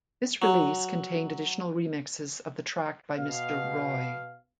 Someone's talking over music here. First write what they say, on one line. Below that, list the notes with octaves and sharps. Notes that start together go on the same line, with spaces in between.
This release contained additional remixes of the track by Mr. Roy.
F#3
B2 F5